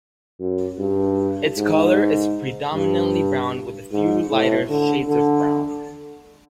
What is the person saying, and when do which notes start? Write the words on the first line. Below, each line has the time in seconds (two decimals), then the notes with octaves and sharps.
Its color is predominantly brown with a few lighter shades of brown.
0.40 F#2
0.79 G2
1.58 G#2
2.74 G2
3.92 G#2
4.31 A2
4.69 D3
5.09 D3